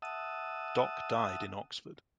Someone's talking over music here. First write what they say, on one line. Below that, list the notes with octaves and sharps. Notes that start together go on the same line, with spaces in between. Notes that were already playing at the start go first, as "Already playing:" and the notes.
Dock died in Oxford.
E5 F#5 A5 D#6 E6